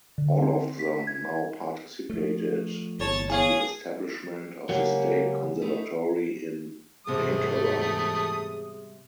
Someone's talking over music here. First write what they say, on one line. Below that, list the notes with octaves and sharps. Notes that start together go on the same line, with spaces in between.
All of them now participated in the establishment of the State Conservatory in Ankara.
D3
C4
B6
G#6
F3 A3
G1 C#5 A5
G#4 C#5 F5 G#5 D#6
C#2 G2 F#3 A#3 G4 G#4
A3 D#4 E4
E2 G#2 C3 G3 A3 G#4 D#6